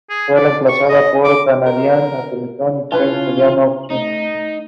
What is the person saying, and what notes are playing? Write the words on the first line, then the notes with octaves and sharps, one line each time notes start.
He appeared in eight of the nine matches.
G#4
D5
C#6
D#5
D6
A#4
C#3 C#4 E4 F4 B4 A5
A3 D#4